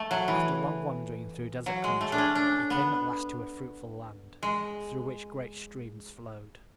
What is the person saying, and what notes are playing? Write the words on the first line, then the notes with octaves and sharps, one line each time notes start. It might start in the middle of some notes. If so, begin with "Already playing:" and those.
After long wandering through desert country he came at last to a fruitful land, through which great streams flowed.
Already playing: A3
F#3
E3
F#3
G#3
A3
D4
C#4
D4
B3
G#3